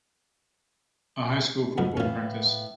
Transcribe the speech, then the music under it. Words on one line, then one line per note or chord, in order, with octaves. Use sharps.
A high school football practice.
B1 F2 G#2
A2 E3 B3 C#4 F5